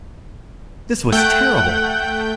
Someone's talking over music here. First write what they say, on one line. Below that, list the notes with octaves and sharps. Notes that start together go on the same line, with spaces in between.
This was terrible!
A3 F#5 G5 G6